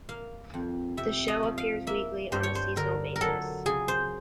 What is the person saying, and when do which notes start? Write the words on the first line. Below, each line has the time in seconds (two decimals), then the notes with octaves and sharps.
The show appears weekly on a seasonal basis.
0.09 A#3 F5
0.54 F2
0.97 C3 E5
1.28 D#5
1.43 F3
1.58 F5
1.87 A#3 E5
2.32 G2 C5
2.43 C#5
2.55 C5
2.76 D3 A#4
3.16 A#4
3.21 F#3 A4
3.66 C#3 G#4
3.88 C5